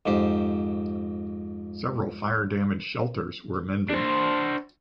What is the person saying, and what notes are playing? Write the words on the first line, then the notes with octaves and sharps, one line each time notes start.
Several fire-damaged shelters were mended.
F2 G#2 G4 C5
D4 C5